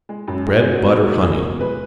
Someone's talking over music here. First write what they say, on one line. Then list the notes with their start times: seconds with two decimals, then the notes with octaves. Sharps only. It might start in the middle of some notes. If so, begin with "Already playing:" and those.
Bread, butter, honey.
0.09 G#3
0.28 F#2
0.47 G#3 F#4
0.59 G#4
0.66 B2
0.71 F#4
0.85 A#3
1.03 F#3
1.22 A#3 G#4
1.41 B2
1.60 G#3 B4